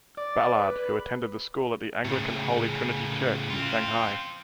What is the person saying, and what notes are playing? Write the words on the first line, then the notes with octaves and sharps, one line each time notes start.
Ballard, who attended the school at the Anglican Holy Trinity Church in Shanghai.
D5
B4
A2 C#3
C4 F4